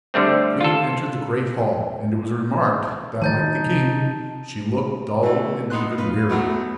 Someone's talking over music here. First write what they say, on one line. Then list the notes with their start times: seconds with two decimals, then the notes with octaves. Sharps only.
The queen entered the great hall; and it was remarked that, like the king, she looked dull and even weary.
0.14 D3 G3 A3 C4
0.61 F4 A4
3.22 D#3 E3 F#3 D#4 A5 G6 A6
3.66 C3
5.23 E3 A3
5.70 B3 D#4 C6 F#6
5.98 F4 B4
6.29 B1 F#3 A3 B3